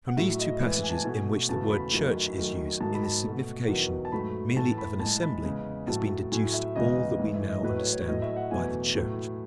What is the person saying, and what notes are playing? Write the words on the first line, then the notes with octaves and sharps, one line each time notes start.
From these two passages in which the word church is used, in the signification merely of an assembly, has been deduced all that we now understand by the Church.
F#5
A2 F#3 A3 E5
D#5
A2 E3 G#3 E5
G#5
A5
G#5
B2 A3
E2 C#3 F#3 A3 A5
B5
F#2 D#3 F#3 A3
F#2 D#3 F#3 A3
G#2 D#3 F#3 A5
B5
A5
B2 A3
E2 D#3 F#3
A5
G#2 F#3 A3 B5
A2 E3 A3 A5
B5
A2 G#3 A5
B5
E2 C#3 G#3
A2 F#3 A3 A5
A2 F#3 A3 G#5
E5
E2 C#3 G#3 D#5
G#2 E3 A3
E5
D#5
A2 F#3 A3 B4
C#5
C#5
A2 F#3 A3 D#5
E5
F#5
E2 B2 F#3 A3 G#5
A2 F#3 A3